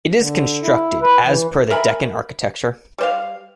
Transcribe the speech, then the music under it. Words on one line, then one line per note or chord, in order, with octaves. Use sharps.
It is constructed as per the Deccan architecture.
D3
E4
B4
E3
A#4 E5 G#5 B5
G3 C5 F5